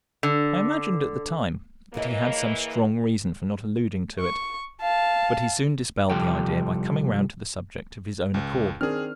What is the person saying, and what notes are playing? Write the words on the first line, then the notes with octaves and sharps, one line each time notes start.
I imagined at the time that he had some strong reason for not alluding to it, but he soon dispelled the idea by coming round to the subject of his own accord.
D3
E3 A#3 G#4 C#5 D#5
C#6
F5 A5
C2 F3 G3 A4 G5
C#2
D#3 C4 D4 G#4 F6